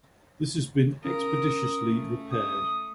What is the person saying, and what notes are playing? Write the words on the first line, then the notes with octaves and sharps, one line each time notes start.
This has been expeditiously repaired.
C#3 A#4 D#6
A3
D#6